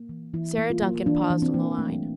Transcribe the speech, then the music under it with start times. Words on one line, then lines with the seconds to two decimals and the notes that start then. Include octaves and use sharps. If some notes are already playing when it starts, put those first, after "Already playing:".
Sarah Duncan paused on the line.
Already playing: A#3
0.09 E3
0.34 E3 E4
0.58 A#3
0.70 F4
0.82 A#3
1.06 E3 D4
1.30 E3
1.42 C4
1.54 A#3
1.79 A3